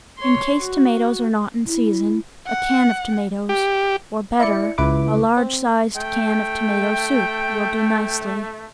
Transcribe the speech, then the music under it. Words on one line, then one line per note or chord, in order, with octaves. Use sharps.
In case tomatoes are not in season, a can of tomatoes, or, better, a large-sized can of tomato soup will do nicely.
C#5 C6
F#4
E4
F#5
G4
E4 D5 C#7
C#2 E4 B4 D6
C4
A3 G5